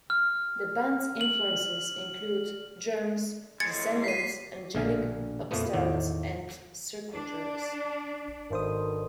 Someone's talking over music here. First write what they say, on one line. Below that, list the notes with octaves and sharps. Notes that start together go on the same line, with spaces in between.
The band's influences include Germs, Descendants, Angelic Upstarts and Circle Jerks.
F6
F#7
A2 G#3 G#6 A6 C#7
B6 C7 D#7
A#1 B2 D3 F5 G#5
F2 A#2 F3 A3 B3
E2 A2 D#3
D4
G#1 B2 D3 D#3 C5 D#6